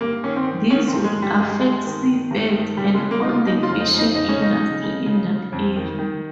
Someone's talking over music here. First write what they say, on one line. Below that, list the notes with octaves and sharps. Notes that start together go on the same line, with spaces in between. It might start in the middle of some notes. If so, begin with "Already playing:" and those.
This would affect sea birds and on the fishing industry in that area.
G2 A#3
D#3 C#4
C4
D#3
D#3 C#4
C4
G2
G#3
G2
G3
G2 G#3
G2
D#3
D#3
G2
D#3
C#3 G3
G#3
C#3
A#3
C#3 D#4
F4
C#3 D#4
F4
F2
D#4
F2
D#4
C#3 D#4
C#4
C#3 D#4
C#3
C#3
C#3
C#3
F2
D#3
D#3